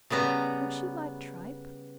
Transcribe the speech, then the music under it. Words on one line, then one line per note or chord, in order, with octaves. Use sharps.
Would she like tripe?
C#3 G3 B3 A#5